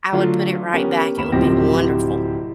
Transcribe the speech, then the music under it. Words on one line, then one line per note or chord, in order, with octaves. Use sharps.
I would put it right back, it would be wonderful.
D3 F#3 A3 F4 D5
B3 C#4 G4 A#4
D#2 A#3 B5 E7
D1 C3 F3 C4 G4 A#6